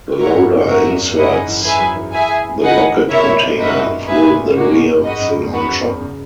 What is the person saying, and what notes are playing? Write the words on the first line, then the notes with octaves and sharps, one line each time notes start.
The loader inserts the rocket container through the rear of the launcher.
G#2 E4 A#4 C#5 F#5
F#2
F#2
F#2 F#4 A#4 E5
E2
F#2 C#4 E4 G#4 D#5 F#5
G#2
E3
E3 G#4 B4 E5 G#5
F#3
E3
G#4 B4 E5 G#5
E3 D#4 G#4 B4 D#5 F#5
D#3
C#3
B2 E4 A#4 C#5 E5
A#2
G#2
F#2 D#4 F#4 B4 E5
F#2
G#2 G#4 B4 E5 G#5
A#2
B2 A#3 C#4 F#4
A#2
F#2
G#2 F#4 B4 D#5
F#2
E2
F#2 B3 F#4 B4
F#2
E2
F#2
C#3